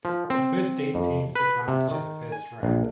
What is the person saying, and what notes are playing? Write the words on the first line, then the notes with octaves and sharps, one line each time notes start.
The first eight teams advanced to the first round.
F3
C4
F2
B4
C3
D#3
G#5
A#1